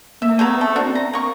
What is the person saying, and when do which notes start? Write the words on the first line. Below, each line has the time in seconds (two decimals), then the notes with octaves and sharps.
No. No.
0.22 E5
0.39 A3 G#4 A#5
0.61 A3
0.76 D4 F#4 C5
0.95 A#5
1.13 A#3 C#6